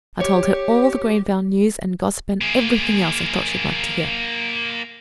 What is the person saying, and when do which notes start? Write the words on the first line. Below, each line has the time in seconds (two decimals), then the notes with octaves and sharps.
I told her all the Greenvale news and gossip and everything else I thought she'd like to hear.
0.20 G4 C#5
2.41 A#3 G#4